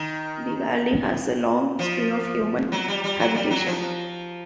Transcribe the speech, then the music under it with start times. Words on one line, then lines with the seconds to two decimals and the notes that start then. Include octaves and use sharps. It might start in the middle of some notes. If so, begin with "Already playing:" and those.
The valley has a long history of human habitation.
Already playing: D#3
1.79 F3
2.72 F#3
2.88 G3
3.04 G3
3.20 F#3
3.35 G3
3.50 F#3
3.66 F3